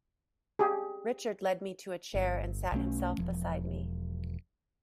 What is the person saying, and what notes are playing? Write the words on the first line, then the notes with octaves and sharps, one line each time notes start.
Richard led me to a chair and sat himself beside me.
G4 G#4
G1
B1 A3 C#4
E1 F3